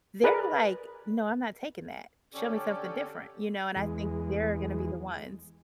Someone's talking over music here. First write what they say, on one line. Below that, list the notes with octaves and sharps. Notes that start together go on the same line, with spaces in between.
they're like, "No, I'm not taking that. Show me something different," you know? And I think they're gonna be the ones
G#4 A#4 B4 D5
D3 C#4 G4 A4 C#5 D5
E2 G#3